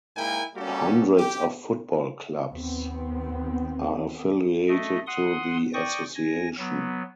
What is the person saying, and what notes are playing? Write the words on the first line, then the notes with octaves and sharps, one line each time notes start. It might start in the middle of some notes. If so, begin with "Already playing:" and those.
Hundreds of football clubs are affiliated to the association.
G#2 A#3 E4 A#4 G5 G#5
G3 A#3 C#4 F#4 G4 A4
G4
D#2 B3 C4
A3 D#5
F#5 C6 D#6
D5 G5 C#6 D#6 A#6
G#5 A#6
F#3 B3